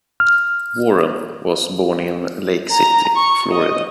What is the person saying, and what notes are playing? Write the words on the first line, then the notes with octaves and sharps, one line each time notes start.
Warren was born in Lake City, Florida.
F6
A#5
C#6
D#5